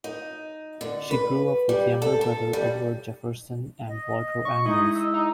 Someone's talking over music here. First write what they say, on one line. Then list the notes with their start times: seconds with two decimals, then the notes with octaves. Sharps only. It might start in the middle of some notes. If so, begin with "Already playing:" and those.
She grew up with younger brothers Edward Jefferson and Walter Andrews.
0.04 D#4
0.81 D3
1.11 B4
1.69 G3
2.02 A4
2.21 A4
2.53 G3
3.88 D#5
4.45 C#6
4.66 G#3 D#4 E4 D#5
4.95 E6
5.14 D#4